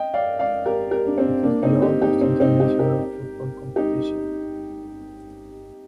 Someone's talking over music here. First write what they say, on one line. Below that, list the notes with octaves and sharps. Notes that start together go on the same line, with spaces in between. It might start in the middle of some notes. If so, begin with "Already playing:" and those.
It is the oldest international football competition.
Already playing: D#5 G5
D5 F5
D5 F5
G4 A#4
G4 A#4
D4
C4
A#3 D4
C4 D#4
D#4 G4
D#4 G4
C4
C4 D#4
D#4 G4
G4 A#4
D#4 G4